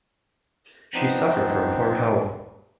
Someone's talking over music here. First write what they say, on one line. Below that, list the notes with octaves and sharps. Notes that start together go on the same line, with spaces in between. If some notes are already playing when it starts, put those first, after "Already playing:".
She suffered from poor health.
F3 B3 C4 D4 D#4